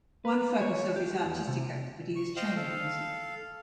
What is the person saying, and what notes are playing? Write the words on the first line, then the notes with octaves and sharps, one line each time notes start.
One focus of his artistic activity is chamber music.
B4
C#5
G4
E2
C3
C#6
C5 D#5 F5 G5
A4 F5